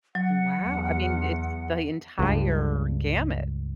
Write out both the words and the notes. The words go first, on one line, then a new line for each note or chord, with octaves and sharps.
Wow. I mean, it's the entire gamut.
F#3 F#5
E2
C#2 G2